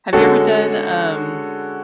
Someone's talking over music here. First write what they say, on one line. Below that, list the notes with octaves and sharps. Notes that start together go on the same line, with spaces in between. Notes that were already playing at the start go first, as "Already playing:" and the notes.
Have you ever done, um
D3 G#3 C#4 F#4 A4